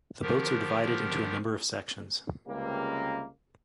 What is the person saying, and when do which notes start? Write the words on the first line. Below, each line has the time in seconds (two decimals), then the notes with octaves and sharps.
The boats are divided into a number of sections.
0.22 D3 D#3 F3 G4 A#4
2.47 C#2 C3 G3 A#3